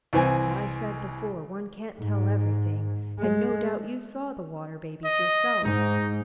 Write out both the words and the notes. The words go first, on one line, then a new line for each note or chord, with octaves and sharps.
As I said before, one can't tell everything, and no doubt you saw 'The Water Babies' yourselves.
C2 E3 C4 G#5
G#2
G#3
D#5
G#2 D#4